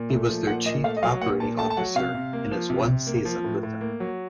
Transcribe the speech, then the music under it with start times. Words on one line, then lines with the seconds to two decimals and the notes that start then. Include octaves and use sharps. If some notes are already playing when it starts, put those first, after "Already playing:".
He was their Chief Operating Officer in his one season with them.
Already playing: A#2
0.10 A3
0.28 F3
0.47 A#2 F#5
0.65 A#2 D#5
0.84 A3 F5
0.97 D#5
1.03 F#3 F5
1.21 A#2 F#5
1.40 A#2 A5
1.58 A3 A5
1.70 A5
1.77 F#3 F#5
1.95 C3 F5
2.14 C3
2.33 A#3
2.51 F3
2.70 C3
2.88 C3
3.07 A#3
3.25 F3
3.44 A2
3.63 A2
3.81 A#3
4.00 F#3